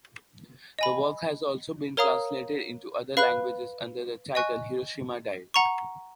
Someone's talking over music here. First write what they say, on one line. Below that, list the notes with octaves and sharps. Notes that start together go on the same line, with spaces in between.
The work has also been translated into other languages under the title “Hiroshima Diary”.
D#5 G#5 B5
A#4 C#5 F5 A#5 D#6
B4 F5 B5 F#6
D#5 G#5 C#6 F#6
F#5 A#5 C#6